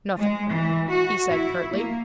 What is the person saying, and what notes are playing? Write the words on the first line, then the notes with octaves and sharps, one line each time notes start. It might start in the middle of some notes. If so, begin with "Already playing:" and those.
"Nothing," he said curtly.
G#3
E3
F#4
E4
A#3